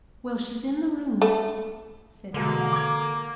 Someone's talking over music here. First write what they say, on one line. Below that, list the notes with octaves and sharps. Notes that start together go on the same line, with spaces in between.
"Well, she's in the room," said Diana.
A3
B2 D3 G#3 A#3
D6 G#6